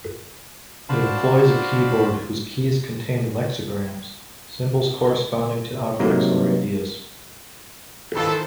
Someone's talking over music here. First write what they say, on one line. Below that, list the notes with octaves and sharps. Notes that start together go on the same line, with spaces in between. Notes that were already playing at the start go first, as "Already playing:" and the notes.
It employs a keyboard whose keys contain "lexigrams", symbols corresponding to objects or ideas.
D4 F#4 C5 F5 A5 B5
C3 F#3 G#3 A#3 D#4
D#3 E3 E4 F4 A4 C5